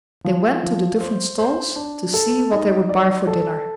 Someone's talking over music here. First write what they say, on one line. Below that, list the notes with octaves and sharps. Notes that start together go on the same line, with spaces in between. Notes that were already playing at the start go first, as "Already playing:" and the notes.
They went to the different stalls to see what they would buy for dinner.
F3
F3
C5
C5
D4
A4
D#4
D5
A4